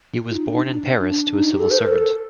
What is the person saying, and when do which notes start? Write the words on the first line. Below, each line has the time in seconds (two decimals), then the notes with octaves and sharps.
He was born in Paris to a civil servant.
0.25 F4
0.34 D#4
0.45 D4
0.53 D#4
0.65 D4
1.07 D4
1.34 D#4
1.54 G4
1.60 A4
1.71 C5
1.79 A#4
1.88 A4